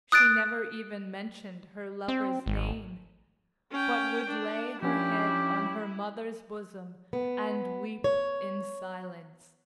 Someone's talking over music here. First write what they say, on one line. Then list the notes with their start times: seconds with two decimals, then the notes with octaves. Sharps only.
She never even mentioned her lover's name, but would lay her head on her mother's bosom and weep in silence.
0.12 D#6 F#6 A6 D7
2.08 C4
2.46 G#1
3.71 C#4 G5
4.29 D4
4.82 F3 C#4 D4 E4 G4
7.13 B3
8.04 C#5